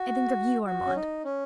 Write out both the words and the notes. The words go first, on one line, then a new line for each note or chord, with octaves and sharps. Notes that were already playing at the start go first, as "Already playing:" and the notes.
I think of you, Armand.
Already playing: F#4
F#4
C#4
D#4
C#4